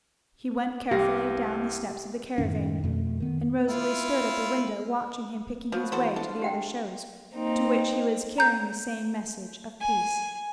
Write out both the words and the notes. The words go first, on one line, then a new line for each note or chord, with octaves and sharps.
He went carefully down the steps of the caravan, and Rosalie stood at the window, watching him picking his way to the other shows, to which he was carrying the same message of peace.
C2 G4 F5 A#6
F#2 A2 D#3 C#4
F2 B2 A3
D#3 B3
E4 F4
F3 F#3 B3 F#4
E3 F#4 A4 C5 C6
D4 F4 A4
G4 F#5 G5
A#3 C4 D#4
A#5 G6
G#5